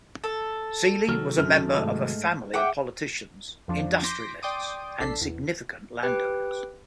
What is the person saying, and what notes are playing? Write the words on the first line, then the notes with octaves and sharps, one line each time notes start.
Seely was a member of a family of politicians, industrialists and significant landowners.
A4
C3 D#3 F#3 F6
F#2 F6
G#2 A3
G#4 E5 F#5 G5 D6
F2 F3 D4
C6 D6 G6 A#6 B6 D7
D5 G5 C6 D6 D#6
A#1 D4 A4 B6 C7
E2
G4 B4 G5